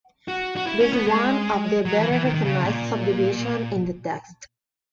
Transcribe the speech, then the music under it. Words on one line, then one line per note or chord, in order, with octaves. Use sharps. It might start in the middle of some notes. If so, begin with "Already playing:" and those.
This is one of the better-recognized subdivisions in the text.
F#4
F#4
E4
C#4
B3
G#3
F#3
E3
E3
D#3
D#3
C#3
A#2